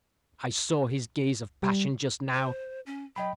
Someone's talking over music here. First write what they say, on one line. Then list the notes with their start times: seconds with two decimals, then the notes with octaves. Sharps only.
I saw his gaze of passion just now.
1.63 G3
2.34 C5
2.86 C#4
3.16 F#3 D#5 G5 B5